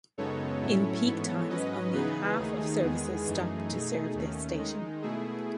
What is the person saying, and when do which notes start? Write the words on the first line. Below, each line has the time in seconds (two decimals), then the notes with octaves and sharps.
In peak times only half of services stop to serve this station.
0.18 F#2 C#3 G#3 B3 D#4 A4 C#5
0.62 A2 F#3 C#4 E4
1.06 G#2 E3 B3
1.49 G#2 F#3 C#4 B4 D#5
1.93 C#3 E3 B3 D#4 G#4 B4
2.38 D#2 D#3 A3 D#4 G#4
2.82 E2 D#3 G#3 B3 G#4
3.26 F#2 E3 A3 D#4
3.71 B2 A3 D#4
4.14 D#2 D#3 A3 C#4
4.58 D#3 G#3 D#4
5.02 B2 A3 E4 G#4